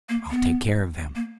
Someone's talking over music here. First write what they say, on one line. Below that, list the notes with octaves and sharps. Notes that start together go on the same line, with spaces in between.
I'll take care of them.
A#3
B3
A#3